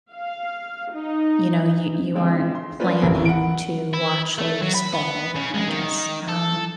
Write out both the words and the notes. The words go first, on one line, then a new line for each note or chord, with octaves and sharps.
you know, you you aren't planning to watch leaves fall, I guess, um.
F5
D#4
D3 F3 G#3 C4
C6
A#3 C#4 D4 F4 B4 C5
G#1 E2 A2 C3 A#4
F#5 B5 D7
E4
A3
F#3
B5
B3
C#3
G#3
D#3
A4